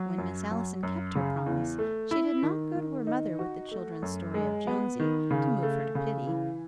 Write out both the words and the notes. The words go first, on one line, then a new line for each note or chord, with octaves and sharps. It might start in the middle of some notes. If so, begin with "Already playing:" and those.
When Miss Allison kept her promise she did not go to her mother with the children's story of Jonesy, to move her to pity.
Already playing: F#3
F#2
F#3
F#2
C#3
E2
A3
E4
D#3
D#3
D#4
F#4
A3
F#2
G#3
B3
D#3
C#3
A3
C#3
E3